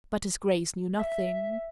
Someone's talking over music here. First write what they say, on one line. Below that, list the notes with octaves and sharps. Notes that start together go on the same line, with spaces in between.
But his Grace knew nothing.
E5